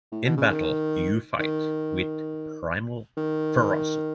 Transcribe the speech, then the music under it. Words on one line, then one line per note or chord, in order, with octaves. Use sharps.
In battle, you fight with primal ferocity.
A2
B2
C#3
D#3
D#3
D#3